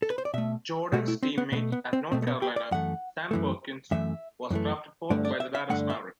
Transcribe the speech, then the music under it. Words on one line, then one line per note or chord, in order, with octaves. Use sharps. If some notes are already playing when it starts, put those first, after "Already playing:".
Jordan's teammate at North Carolina, Sam Perkins, was drafted fourth by the Dallas Mavericks.
A4
B4
C5
D5
B2 A3 E5
B2 A3 F#4
E4
C4
B3
B2 A3 B3
B3
C4
B2 A3 C4
A3
B3
G4
D5
F#2 E3 A3 F#5
F#2 E3 A3
F#2 E3 A3 E5
F#2 E3 A3
G2 D3 A3 D5
D5
E5
E5
G2 D3 A3 F#5
E5